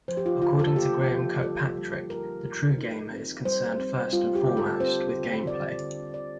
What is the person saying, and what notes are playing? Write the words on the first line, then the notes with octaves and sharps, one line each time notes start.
According to Graeme Kirkpatrick, the "true gamer" is concerned first and foremost with gameplay.
F3 C5
G4
F4
D3 F4
A4
A#3 G4
F3
G3 A4
G3
D#4 A#4
D#4
D#4
C4
G3 C5
C4
G3 F4
G4
D3
A4
C4 C5
D3
D3 D5
D3
D3 D5